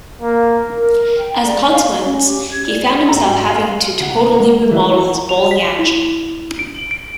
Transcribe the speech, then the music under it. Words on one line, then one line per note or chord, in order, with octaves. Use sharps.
As a consequence, he found himself having to totally remodel his bowling action.
A#3
A#4
G5
D5
F5
F5
C#4
G4
G#6
D5
G5
G#2 F#4 A4 A#5
F5
C2 F#5
G#3
E3 E4 B4 E5
F7
B6
E4
D7
D7